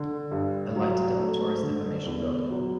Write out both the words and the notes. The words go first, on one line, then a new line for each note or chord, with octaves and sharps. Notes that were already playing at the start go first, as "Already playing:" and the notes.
A lighted up tourist information building.
Already playing: D3
G2
F#3
A3
D3
E2
F#3